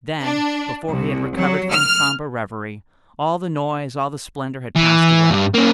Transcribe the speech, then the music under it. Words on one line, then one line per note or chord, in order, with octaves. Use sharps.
Then, before he had recovered from his sombre reverie, all the noise, all the splendor, had passed away.
D4
C2
F#3
F6
E3
G2 G3
A#3 C#4